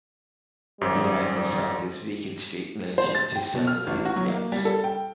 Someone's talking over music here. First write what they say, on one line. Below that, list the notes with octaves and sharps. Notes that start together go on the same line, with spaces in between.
He had to sell his Beacon Street mansion to settle his debts.
G#1 F#2 G3 G4 C5
C5
A6
G5
B2
F6
A1
F#4
F#3
A#3
G3
A4
G5